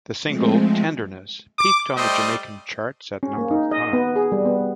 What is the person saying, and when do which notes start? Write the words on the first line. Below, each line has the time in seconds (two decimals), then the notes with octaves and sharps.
The single "Tenderness" peaked on the Jamaican charts at number five.
0.23 F3 G#3 A3 C4
1.58 D6
1.96 G3 A3 C5 D5 D#5 G5
3.23 C#4
3.38 A#3
3.51 D#4
3.71 D#5
3.93 B3
4.16 G#4
4.32 G3
4.45 B3